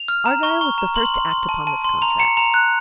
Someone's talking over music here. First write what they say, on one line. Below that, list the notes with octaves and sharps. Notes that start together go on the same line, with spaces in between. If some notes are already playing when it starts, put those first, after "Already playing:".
Argyle was the first to act upon this contract.
Already playing: F7
F6
A#5
C#6
C#6
A#5
C6 F#7
C6
C6
A5
A5
C6
A#5 F7
A#5 C#7
A#5 F7
F#6